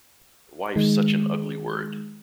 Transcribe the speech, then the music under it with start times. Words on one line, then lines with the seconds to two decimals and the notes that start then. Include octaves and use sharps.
Wife's such an ugly word.
0.76 D#3 G#3